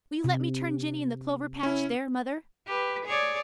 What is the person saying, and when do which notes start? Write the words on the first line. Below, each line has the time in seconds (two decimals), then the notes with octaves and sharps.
Will you let me turn Jinny in the clover patch there, mother?
0.24 C3
1.63 C#4 E4
2.67 G4 B4
3.05 G#4 C#5 D5